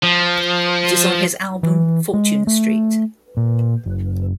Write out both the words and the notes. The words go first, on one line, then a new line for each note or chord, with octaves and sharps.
It is on his album, Fortune Street.
F3
E3
G#3
A3
A#2
F#1